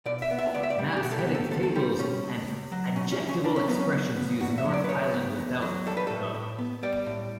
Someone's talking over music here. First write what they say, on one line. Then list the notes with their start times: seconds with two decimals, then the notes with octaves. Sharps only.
Maps, headings, tables and adjectival expressions use North Island without "the".
0.06 B2 D5
0.22 E5
0.31 B3
0.38 E5
0.54 C#2 D5
0.63 E5
0.70 D5
0.79 G3
0.97 G4
1.03 B2 F#4
1.11 A4
1.19 G4
1.27 B3
1.35 A4
1.51 C#2 A4
1.63 A4
1.75 G3 G4
1.99 B2 C#4
2.23 C#2
2.48 C#2
2.72 F#3
2.96 B2 C#4
3.12 C#4
3.20 C#2
3.29 C#4
3.44 C#2 D4
3.56 C#4
3.68 F#3 B3
3.80 C#4
3.93 C#3
4.17 B3
4.41 E2 F#4
4.58 E5
4.65 F#3
4.74 D5
4.84 B4
4.89 C#3 C#5
5.14 B3
5.37 E2
5.62 F#3
5.86 G3 A4
5.97 B4
6.07 A2 A4
6.35 A2
6.58 B3
6.83 G3 D5
7.06 A2